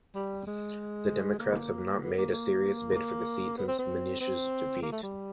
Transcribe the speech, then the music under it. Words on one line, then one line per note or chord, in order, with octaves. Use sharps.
The Democrats have not made a serious bid for the seat since Minish's defeat.
G3
G#3
A#3
B3
A#3
A#3
A#3
B3
C4
C4
C4
A#3
A3
G3